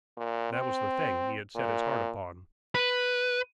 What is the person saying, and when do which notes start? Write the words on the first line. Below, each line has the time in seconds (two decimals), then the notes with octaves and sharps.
That was the thing he had set his heart upon.
0.17 A#2
0.52 C4
1.55 A#2
2.75 B4